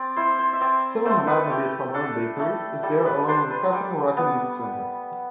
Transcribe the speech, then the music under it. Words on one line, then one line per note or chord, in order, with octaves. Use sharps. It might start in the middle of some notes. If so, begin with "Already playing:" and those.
Sama Ahmad Nabil Salman Bakery is there along with the Kafr Zarqan Youth Center.
Already playing: C4 D5
E4 C5
C5
E5
C4 D5
A3 C5
B4
A3 G4
D4 A4
A3
G3 A4
B4
D4 C5
B4
G3
B3